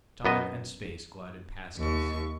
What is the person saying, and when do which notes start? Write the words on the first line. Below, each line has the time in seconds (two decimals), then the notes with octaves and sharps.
Time and space glided past us.
0.25 F#2 B3 D#5
1.77 D#2 C#6